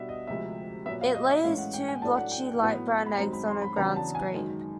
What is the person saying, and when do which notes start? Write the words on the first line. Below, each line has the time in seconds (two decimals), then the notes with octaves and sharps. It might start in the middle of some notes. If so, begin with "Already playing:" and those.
It lays two blotchy light brown eggs on a ground scrape.
Already playing: B2 G3 B3 D4 E5
0.09 D#5
0.27 D2 C3 F3 G#3 E5
0.85 B3 E5
0.89 A#2 F#3
1.01 F5
1.14 D#5
1.29 E5
1.44 A2 E3 G#3 C#4 F5
1.58 F#5
1.73 G5
1.88 G#5
2.02 A2 F#3 A3 D4 A5
2.17 F#5
2.31 G5
2.60 A2 F#3 B3
3.06 B5
3.18 F#2 D#3 G#3 C4 A#5
3.33 B5
3.48 C6
3.62 B5
3.76 E2 C#3 F#3 B3 D4 A#5
3.96 A5
4.15 G#5
4.34 F#2 D#3 G#3